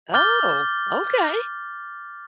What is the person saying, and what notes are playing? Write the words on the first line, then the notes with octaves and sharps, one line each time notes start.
Oh, okay,
D6 F6 G6 A6 G7